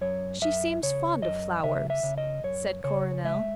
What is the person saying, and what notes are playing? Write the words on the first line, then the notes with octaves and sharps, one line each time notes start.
"She seems fond of flowers," said Coronel.
F#2 C#5
F#2 E5
C#3 C#5
F#2 D#5
C#3 E5
E5
C#3
D#5
F#2 C#5
C#3 C#5
G#3 E5